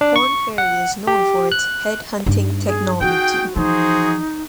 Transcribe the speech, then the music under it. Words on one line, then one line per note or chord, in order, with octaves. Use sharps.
Korn Ferry is known for its "headhunting technology".
D4
C#6
F#5
G4
F#6
G2 D#4
G#4
D#4 F#4 G#4 G5
E3 F3 D#4 F#4 G#4 C5